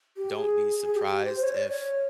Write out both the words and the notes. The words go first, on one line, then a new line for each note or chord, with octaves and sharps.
don't be surprised if
G4
G#4
G#4
G4
G4
C5
C#5
D5
C#5